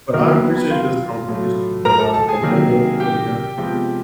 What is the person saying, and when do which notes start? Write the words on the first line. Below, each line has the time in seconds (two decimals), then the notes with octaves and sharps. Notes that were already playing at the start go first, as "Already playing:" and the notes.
But I appreciate this conversation, and I hope you have a wonderful day, man.
0.14 D#3 F#3 A#3 B3 A#4
0.28 A#3 A#4
0.42 B3 B4
0.57 B3 B4
0.70 F4 F5
1.28 A2 F#3 A3
1.85 A#4 A#5
1.99 A4 A5
2.14 A4 A5
2.28 G#4 G#5
2.42 C3 D#3 F#3 A#3
3.00 G4 G5
3.58 C3 F3 G#3 B3